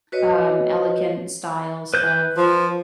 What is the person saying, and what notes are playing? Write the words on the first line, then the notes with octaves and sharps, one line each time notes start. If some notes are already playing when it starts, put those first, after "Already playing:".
um, elegant styles of
F#4 B4 C#5 D#5
B4 G6
F3